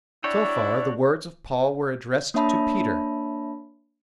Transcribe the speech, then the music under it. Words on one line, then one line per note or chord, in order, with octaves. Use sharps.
So far, the words of Paul were addressed to Peter.
D4 E4 F#4 C#5 G5
A#3 D4 C#5 E5 A5 B5